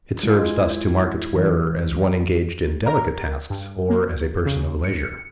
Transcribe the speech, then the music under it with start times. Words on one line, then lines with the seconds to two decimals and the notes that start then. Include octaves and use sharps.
It serves thus to mark its wearer as one engaged in delicate tasks or as a person of leisure.
0.23 G#3 E4 F4
1.36 E3
2.86 A#4
3.50 G2
3.90 A#3
4.46 C#3
4.84 C#7